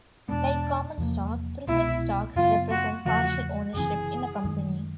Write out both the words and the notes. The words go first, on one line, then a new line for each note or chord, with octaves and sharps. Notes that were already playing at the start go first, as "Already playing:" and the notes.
Like common stock, preferred stocks represent partial ownership in a company.
E2 B2 G#3 B3 D4
E2 C3 F3 A#3
C2 B2 G#3 B3 E4
F#2 C#3 F#3 B3 F4
F#4
E2 C#3 F3 A3 F#4
F#1 E2 C3 E3 G#4
F#2 D#3 G#3